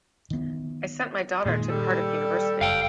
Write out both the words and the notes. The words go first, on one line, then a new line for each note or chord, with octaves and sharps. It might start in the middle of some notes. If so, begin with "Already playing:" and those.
I sent my daughter to Cardiff University.
D#3 B3
A#2 D#3 G#3
G3 A4
F#1 F5 G5